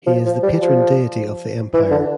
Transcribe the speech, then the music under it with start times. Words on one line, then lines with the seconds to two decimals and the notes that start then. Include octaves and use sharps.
He is the patron deity of The Empire.
0.07 F3
0.25 F3
0.43 G3
0.61 F3
1.74 E3
1.91 D3